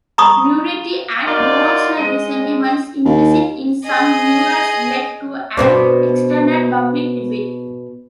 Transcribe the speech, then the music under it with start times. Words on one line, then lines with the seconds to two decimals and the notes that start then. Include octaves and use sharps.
Nudity and revolutionary sentiments implicit in some murals led to an extended public debate.
0.18 A#5 B5 C#6 D#6
1.26 F#2 D#4 F4 D5
1.97 G#3 D#5
3.05 D#2
3.85 G#4 D#5
5.57 B2 C4 D4